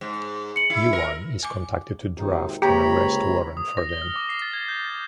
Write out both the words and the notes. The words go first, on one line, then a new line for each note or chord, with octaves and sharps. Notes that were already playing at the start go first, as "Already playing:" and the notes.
Yuan is contacted to draft an arrest warrant for them.
G#2
C#7 F#7
E4
A#4
G#5 D6
G#1 D#2 C3 D#4
C#2 C3 A#3 G4 C#5 A#5 B5
D#6
A#6
G7
F6
D6
C7
A6
G#6
G6
A6